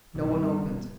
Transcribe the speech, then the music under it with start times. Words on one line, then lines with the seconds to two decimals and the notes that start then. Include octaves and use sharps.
No one opened.
0.15 B1 G2 B2 E3 G3 B3
0.32 C2 C3